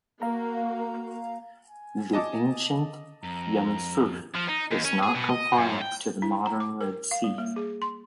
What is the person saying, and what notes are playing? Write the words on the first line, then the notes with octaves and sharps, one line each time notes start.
The ancient "yam suf" is not confined to the modern Red Sea.
A#3 F#4 F5 A#5
G#5
D#5 A5 D6
F2 A#5
F3
D#4
D#2
C#4
G#4
B2
D#5
F#2
G5
E4
A#5
D6
A#4
F5
G3
A#3
G#4
C6